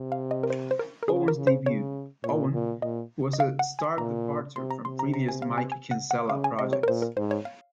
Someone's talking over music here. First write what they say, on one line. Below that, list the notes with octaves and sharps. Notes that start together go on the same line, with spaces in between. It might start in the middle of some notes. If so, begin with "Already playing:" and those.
Owen's debut, "Owen" was a stark departure from previous Mike Kinsella projects.
Already playing: C3
F5
D#5
A#4
C5
C5
A#4
A#4
C#3 G#4
A#4
C#3
C5
C#3 C#5
A#2 C#5
A#2
A#2 D#5
D#5
F5
F#5
G#5
A#2 A#5
C3 C6
A#5
C3 C6
A#5
A#5
G#5
F5
G#5
G#5
F#5
F#5
C#3 F5
G#5
C3 D#5
C#5
A#4
A#2 C5
A#4
G#2 C5
C#5
F5